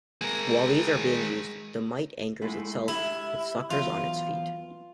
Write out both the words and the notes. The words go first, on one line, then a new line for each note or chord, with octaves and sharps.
While these are being used, the mite anchors itself with suckers on its feet.
G#3 A#4
G#3 A3 E4
E4 G4 E5
E2 F#3 F4